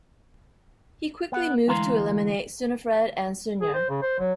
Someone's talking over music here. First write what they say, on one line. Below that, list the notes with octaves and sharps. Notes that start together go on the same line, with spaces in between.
He quickly moved to eliminate Sunifred and Sunyer.
B3 F#5
D2 E3 G#3 F5 A#5 C6
G#4
C5
C#3
C5
F#3